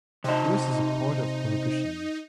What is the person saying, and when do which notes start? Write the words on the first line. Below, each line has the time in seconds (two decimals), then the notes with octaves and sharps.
He was a supporter of prohibition.
0.24 C3 D#4 D#5